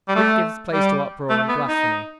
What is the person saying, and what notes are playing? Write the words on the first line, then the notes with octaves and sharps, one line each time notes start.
Wit gives place to uproar and blasphemy.
G3
A3
G3
A3
B3
D#4